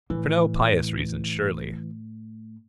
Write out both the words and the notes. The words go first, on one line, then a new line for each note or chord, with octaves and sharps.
For no pious reason, surely.
A2 E3